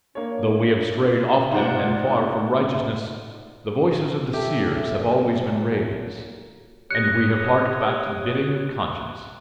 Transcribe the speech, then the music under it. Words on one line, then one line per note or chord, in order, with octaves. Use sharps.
Though we have strayed often and far from righteousness, the voices of the seers have always been raised, and we have harked back to the bidding of conscience.
A#3 D4 C#5
D#4 F4 C5 D5 F#5
A#2 D3 F#3 G4 A4 E5
G4 C#5 D#6 F#6 A#6 C#7